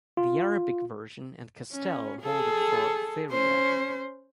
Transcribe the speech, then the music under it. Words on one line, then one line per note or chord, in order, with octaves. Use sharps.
The Arabic version and Castell hold it for "theriac".
F4
C#4
G#4 A4
C#4 C5